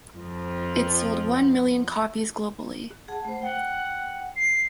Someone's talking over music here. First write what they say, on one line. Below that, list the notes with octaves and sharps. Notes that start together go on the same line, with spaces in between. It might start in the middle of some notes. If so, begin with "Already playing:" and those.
It sold one million copies globally.
F2 F3
G#4 F#5 A5
A3 C5
F#5 G5
C7